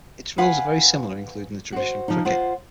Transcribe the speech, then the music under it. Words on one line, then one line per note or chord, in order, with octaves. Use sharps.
Its rules are very similar including the traditional cricket.
B4 F5 F#5 G#5
F#4 C5
F3 D#4
F4 C5 F#5